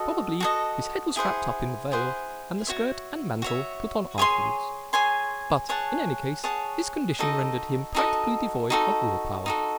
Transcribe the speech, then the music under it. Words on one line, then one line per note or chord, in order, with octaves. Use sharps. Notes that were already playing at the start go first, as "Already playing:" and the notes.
Probably his head was wrapped up in the veil, and the skirt and mantle put on afterwards; but, in any case, his condition rendered him practically devoid of will power.
Already playing: F#4 A4 D#5
F#4 A4 D#5
E4 G#4 C5 F#5
E4 G#4 C5 F#5
F#4 C#5 E5
F#4 C#5 E5
G#4 C#5 G#5 C6
G#4 C#5 G#5 C6
G#4 C#5 F#5 A5
G#4 C#5 F#5 A5
D#4 F#4 A4 D#5
D#4 F#4 A4 D#5
D#4 F#4 A4
D#4 F#4 A4